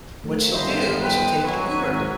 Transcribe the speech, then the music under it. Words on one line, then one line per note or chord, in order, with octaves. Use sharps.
What she'll do is she'll take an Uber.
D#3 F3 A3
G1 C5 D#5 E5
B4 G5
F#3 B4 G#5
G#1